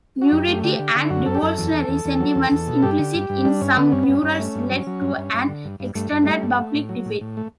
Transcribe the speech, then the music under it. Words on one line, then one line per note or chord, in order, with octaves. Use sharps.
Nudity and revolutionary sentiments implicit in some murals led to an extended public debate.
F#4
F#2 G4
A3
D3 G4
D3
D3
E4
F#2 F#4
F#2 A4
G4
F#2 A4
E2
E2
E2
E2
F#3
E2
E2
B2
G2 G4
D3
G2
G2
G3 D4
G2 C#4
D3 B3
G2 C#4
B3
G2
C#4
G2
A3
G2
F#3
F#3
G2
G2
G2
D3
G2
G2
G2 A3
G2
G3 A3
G2
A3
A2
F#3
A2
A2
A3